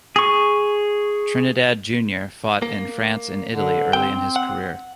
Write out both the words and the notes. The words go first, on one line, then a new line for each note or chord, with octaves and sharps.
Trinidad Junior fought in France and Italy early in his career.
G#4 C#6
A#3
D3
C4 G5
F#5